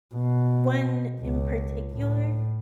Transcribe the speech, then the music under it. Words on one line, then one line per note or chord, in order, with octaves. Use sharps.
one in particular,
B2
C#2
A2